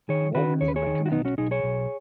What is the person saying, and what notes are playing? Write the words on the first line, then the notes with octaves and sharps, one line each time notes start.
Warmly recommended.
D#3 G#4 C#5
D#3 F#4 B4
D#2 C#5
B4
G#4 C#5
D#3
F#4
B1 B3 D#4
C#4 F#4
B1 D#4 G#4
G#4 C#5
B1